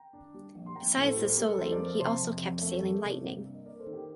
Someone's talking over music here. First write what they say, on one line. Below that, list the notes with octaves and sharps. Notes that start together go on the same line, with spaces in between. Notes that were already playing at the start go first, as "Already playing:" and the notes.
Besides the Soling he also kept sailing Lightning.
Already playing: G5 A#5
D4
G3
A#1
C6
A#1 G5 A#5
A2
A4 C5
G3 A4 C5
G4 A#4
G3
A4
F2 A4 C5
A#4 D5
F3
C3 A5 C6
F2
F2
A3
F3 A#4 D5
C3
G2
A#3
D#5
A#3 A#4 D5
A4 C5
D#3
G4 A#4